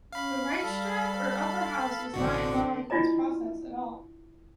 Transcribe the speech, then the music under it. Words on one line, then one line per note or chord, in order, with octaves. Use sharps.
The Reichsrat, or upper house, was not involved in this process at all.
C#4 F5 B5
G3 A4
A1 B2 D3 C4 D4 F#4 D5
D4 E4 F4 D5 D#5 A#5